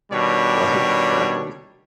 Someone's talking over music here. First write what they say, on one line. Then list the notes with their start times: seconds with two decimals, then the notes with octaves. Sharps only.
Right, exactly.
0.12 B2 D#3 G3 D4 C#5